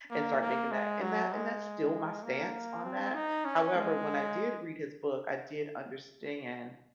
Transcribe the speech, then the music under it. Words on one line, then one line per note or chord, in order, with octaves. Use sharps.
and start making that And that and that's still my stance on that. However, when I did read his book, I did understand,
A#3
A#3
G#3
F#3
G#3
A#3
C4
D#4
C#4
G#3